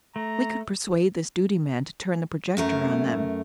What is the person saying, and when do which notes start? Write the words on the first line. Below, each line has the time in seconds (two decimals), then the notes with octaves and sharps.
If we could persuade this duty man to turn the projector on them!
0.16 A3 A#5
2.57 F#2 A3 A#4